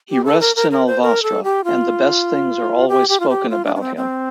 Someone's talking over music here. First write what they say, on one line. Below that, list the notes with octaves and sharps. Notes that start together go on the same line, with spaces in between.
He rests in Alvastra, and the best things are always spoken about him.
G4
A4
A#4
A#4
A#4
C5
A#4
A4
G4
F4
G4
G4
F4
G4
F4
D4
D4
C4
C4